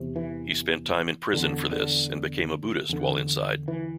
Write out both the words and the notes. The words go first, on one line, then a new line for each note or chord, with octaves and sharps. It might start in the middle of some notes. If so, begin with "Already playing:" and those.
He spent time in prison for this and became a Buddhist while inside.
Already playing: E2 C3
E3
E2 D3
D3
E2 D3
E3